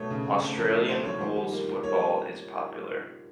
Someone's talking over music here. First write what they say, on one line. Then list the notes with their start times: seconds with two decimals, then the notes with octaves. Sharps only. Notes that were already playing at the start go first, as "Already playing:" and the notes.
Australian rules football is popular.
Already playing: B2 A3 C#5
0.10 C#3
0.26 C4
0.42 A3
0.57 F3 A#4
0.73 A3
0.89 C4 C5
1.04 F3 C#5
1.20 D#3 C5
1.36 G3
1.52 A#3
1.68 G3
1.83 A#3 C#5